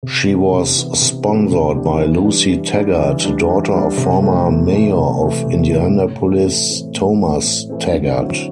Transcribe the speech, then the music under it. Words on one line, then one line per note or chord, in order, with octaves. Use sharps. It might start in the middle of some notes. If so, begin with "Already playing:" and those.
She was sponsored by Lucy Taggart, daughter of former Mayor of Indianapolis Thomas Taggart.
C3
E3 B3 D4 G4
C3
E3 B3 D4 G4
C3
E3 B3 D4 G4
C3
E3 B3 D4 G4
E3
G3 D4
E3
G3 D4
E3
G3 D4
E3
G3 D4
C3
E3 A3
C3
E3 A3
C3
E3 A3
C3
E3 A3
A2
E3 A3 C4
A2
E3 A3 C4
A2
E3 A3 C4
A2
E3 A3 C4
D3
F#3 C4 E4